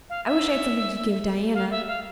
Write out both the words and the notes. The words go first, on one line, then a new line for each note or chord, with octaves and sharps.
I wish I had something to give Diana.
F5
E5
F5
E5
F5